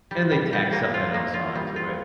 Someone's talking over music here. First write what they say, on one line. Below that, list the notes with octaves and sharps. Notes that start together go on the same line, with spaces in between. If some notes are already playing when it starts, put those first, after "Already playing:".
and they tack something else onto it.
G3
G3
G3
A#3
F4
A#3
F4
G3
F4